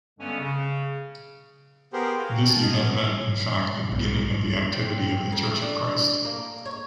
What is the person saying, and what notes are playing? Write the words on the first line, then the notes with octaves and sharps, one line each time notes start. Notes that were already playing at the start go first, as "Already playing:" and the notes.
This event meant, in fact, the beginning of the activity of the Church of Christ.
G2 D3 G3 G#3 B3 C#4
C#3
B3 G4 G#4 A#4 C5
F#4 F5 G5
F4 G#5 A5
D#5
B3 C#4
B1
C4
F2
A3
D4
A#3
C#5